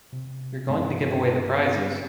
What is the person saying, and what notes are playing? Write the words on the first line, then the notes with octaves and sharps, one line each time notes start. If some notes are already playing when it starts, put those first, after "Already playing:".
You're going to give away the prizes.
C3
G2 G#3 B3 C4